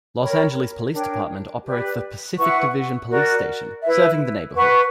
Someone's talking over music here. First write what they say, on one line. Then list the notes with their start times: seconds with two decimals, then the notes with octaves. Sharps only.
Los Angeles Police Department operates the Pacific Division Police Station, serving the neighborhood.
0.19 A#4 C#5 G5 B5
0.92 D4 A#4 C#5 G5
1.64 G4 B4 D5
2.38 E4 B4 F#5 C#6
3.10 F#4 A#4 D5
3.83 E4 B4 E5
4.55 B4 F#5 C#6